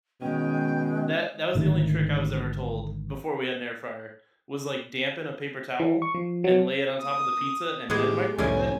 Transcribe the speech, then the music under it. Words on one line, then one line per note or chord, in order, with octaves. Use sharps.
That that was the only trick I was ever told before we had an air fryer, was, like, dampen a paper towel, and lay it on top of the pizza, and then microwave it,
B2 D#3 G#3 C#4 G5
G#1 D3 D#3 A3
E3
C#6
F3
F#3
D#6
A2 G#3 B3 G4 G#4 D6
C2 F2 A2 D3 E3 C#4 G#5